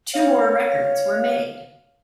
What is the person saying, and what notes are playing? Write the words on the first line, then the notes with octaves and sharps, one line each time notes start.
Two more records were made.
C#5 F5